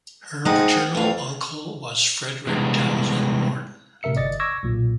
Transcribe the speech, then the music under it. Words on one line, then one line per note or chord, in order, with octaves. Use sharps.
Her paternal uncle was Frederick Townsend Martin.
G#3 C4 D#4 F#5 D#6
F2 E3 A3 F5
C3 E3 G3 G#3 B3
A2 C3 A#4 E5 C#7
G1 D5 D#5 A6
C#6 D6 E6 G#6 A#6
B1 A#2